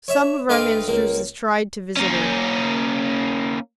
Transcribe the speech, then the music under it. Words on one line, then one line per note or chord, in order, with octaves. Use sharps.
Some of our ministers has tried to visit her.
C#5 E5
D2 F4 B4 D#5 F5 G5
C#2 A#3
A#3 C#4